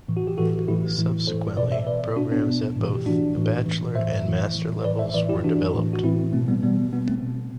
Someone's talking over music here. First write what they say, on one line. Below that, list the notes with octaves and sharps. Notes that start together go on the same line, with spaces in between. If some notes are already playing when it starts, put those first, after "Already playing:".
Subsequently, programs at both the Bachelor and Master levels were developed.
A2 E3
F#4
G4
A2 E3 F#4 A4
A2 E3 E4 G4
A2 E3
A2 E3 A4 C5
B2 B4 D5
C5 E5
B2 B4 D5
B2 D4 F#4
B3 D4
B2
A2 E3
G4
A2 E3 D4 F#4
A2 E3
A2 E3
A2 E3 C5 E5
A2 E3
A2 E3
C5
A2 E3 B4 D5
C5 E5
A2 E3 B4 D5
E4 G4
A2 E3 D4 F#4
A2 E3
F#4
A2 E3 C4 E4
B2 A3 C4
G3 B3
B2 G3 B3
B2 G3 B3
A3 C4
B2